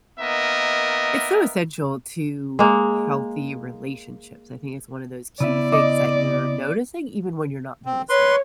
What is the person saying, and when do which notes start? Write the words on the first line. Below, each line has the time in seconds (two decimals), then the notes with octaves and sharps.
It's so essential to h healthy relationships. I think it's one of those key things that you're noticing even when you're not noticing.
0.18 A#3 B3 D#4 A#4 D#5 E5
2.59 G#3 A#3
5.40 C#3 B3 E4 D5 E5
5.72 D#5 D6
7.85 C4
8.09 B4 C#5 C6